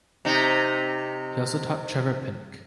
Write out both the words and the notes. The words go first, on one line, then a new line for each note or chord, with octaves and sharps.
He also taught Trevor Pinnock.
C3 D#4